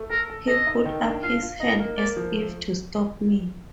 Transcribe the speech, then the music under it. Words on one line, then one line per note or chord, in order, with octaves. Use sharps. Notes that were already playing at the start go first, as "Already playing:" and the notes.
He put up his hand as if to stop me.
Already playing: A3
A4 A#4
A4
A4 D#5
D#4
D#3
D4
F4 F5
F4
D#4 D#5
A#3
A#3 D5
F3
A3